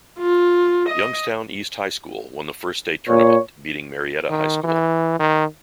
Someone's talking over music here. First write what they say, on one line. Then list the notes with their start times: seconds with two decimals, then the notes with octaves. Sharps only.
Youngstown East High School won the first state tournament, beating Marietta High School.
0.19 F4
0.89 D#5
3.08 A#2 C#5
4.30 D#3
4.64 E3
5.19 D#3